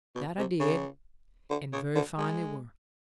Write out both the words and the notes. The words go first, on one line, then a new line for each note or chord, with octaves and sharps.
'That I did; and very fine they were.
B2
C3
C#3
D3
C#3
D3
G#3